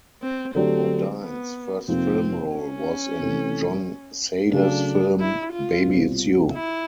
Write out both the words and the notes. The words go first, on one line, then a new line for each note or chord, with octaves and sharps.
Modine's first film role was in John Sayles' film "Baby It's You".
C4
D3 F#3 A3 C4 D4 G4
B3
F2 C3 F3 A#3 C4 D#4
C#4
C3 E3 A3
C#3 F#3 A3 D4
E4
F4
C2 B2 G3 C4 F4
E4